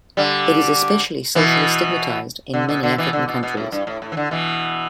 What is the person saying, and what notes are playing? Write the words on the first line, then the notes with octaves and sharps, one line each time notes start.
It is especially socially stigmatised in many African societies.
D3 G3
B2 E3
D3
B2
D3
B2 E3
D3
B2
B2
A2
G2
A2
A2
E3
D3
B2 E3